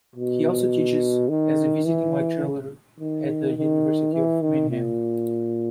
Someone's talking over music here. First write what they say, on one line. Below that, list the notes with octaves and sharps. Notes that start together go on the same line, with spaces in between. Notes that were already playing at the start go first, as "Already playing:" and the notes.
He also teaches as a visiting lecturer at the University of Mannheim.
B2
D#3
E3
D#3
D#3
E3
D#3
A#2